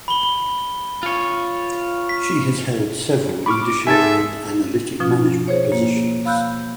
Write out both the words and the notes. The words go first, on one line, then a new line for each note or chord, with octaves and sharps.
She has held several leadership and analytic management positions.
B5 G7
F4 C#5
B6
B5 C#6 D6 F6
G#2 G#3 A4 E5 G#5 G#6 A6
B2 F3 C#4 F4
G#4 C5 C#5
A#3
F5 B5 E6 F#6 G6